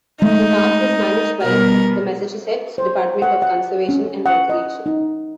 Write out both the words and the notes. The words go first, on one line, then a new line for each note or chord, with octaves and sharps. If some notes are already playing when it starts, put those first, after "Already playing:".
The park is managed by the Massachusetts Department of Conservation and Recreation.
G#3 A3 D#4
B2 G3 B3 A#4
C5
F#5
F#5
C#4
F#5
D#5
D#4